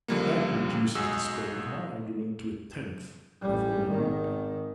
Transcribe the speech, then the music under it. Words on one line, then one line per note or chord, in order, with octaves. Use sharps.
That reduces the scope of my argument to a tenth of what it would be.
C#2 D3 F3 G3 A#3
B1 G#3 F#4 G#4 E6
A1 G3
G#1 D#3